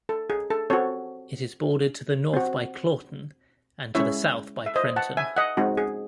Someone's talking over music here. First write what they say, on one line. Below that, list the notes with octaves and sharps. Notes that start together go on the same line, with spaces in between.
It is bordered to the north by Claughton and to the south by Prenton.
A4
G#4
A4
C4 F#4 A4 C#5
C4 F#4
G#3 C#4 E4 C#5 E5
E5
C5 D#5
F#5 A5
E5 G#5
D#5 F#5
G#3 C4 D#4 F#4
G#4